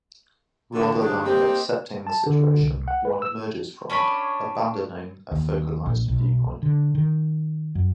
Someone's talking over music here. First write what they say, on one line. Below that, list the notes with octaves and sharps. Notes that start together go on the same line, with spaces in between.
Rather than accepting the situation, one emerges from it, abandoning a focalised viewpoint.
D3 E3
D2 G#2 F#3 D4 G4 G#4
A#3 C4 D#4 G4
A5
D3
C2
F#5
B4
E6
C#4 D4 C#5 B5
D#2
A#1
B1
D3
D#3
F#2